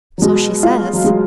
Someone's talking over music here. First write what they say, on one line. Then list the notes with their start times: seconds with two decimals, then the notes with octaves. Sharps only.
"So she says."
0.18 F#3
0.22 B2 G#3
0.63 F4
0.93 F#3
1.05 G#3